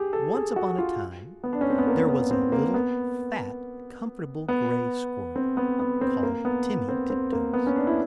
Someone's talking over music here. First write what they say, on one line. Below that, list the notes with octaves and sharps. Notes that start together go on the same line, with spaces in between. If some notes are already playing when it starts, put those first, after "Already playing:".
Once upon a time there was a little fat comfortable grey squirrel, called Timmy Tiptoes.
Already playing: G4 G#4
A4
G#4
F#4
F4
B3
D4
C#4
C4
B3
A#3
B3
C4
A#3
B3
B3
C4
B3
B3
C4
A#3
B3
C4
C4
A#3
B3
C#4
D4
E4